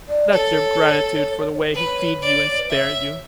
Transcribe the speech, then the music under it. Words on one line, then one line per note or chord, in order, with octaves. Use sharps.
That's your gratitude for the way he feeds you and spares you!
D5
A4 C#5
B4 C#5
D5
B4
C#5 D5 E5